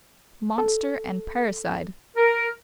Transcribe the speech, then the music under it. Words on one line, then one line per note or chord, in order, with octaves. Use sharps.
Monster and parricide!
A4
A#4